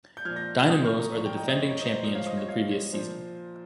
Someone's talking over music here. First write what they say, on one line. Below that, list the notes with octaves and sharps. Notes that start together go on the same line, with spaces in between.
Dynamos are the defending champions from the previous season.
G6
A#2 F3 F6 G#6
G6 A#6
F6 G#6
D#6 G6
C#6 F6
A#5 C#6
A#2 F3 A#5 C#6
G5 A#5
D#5 G5
C5 D#5
C#5
C#5
C5 D#5
C5
A#2 F3 C5 D#5
C#5 F5
C5 D#5
C#5
C#5 F5
C#5
A#2 F3 C5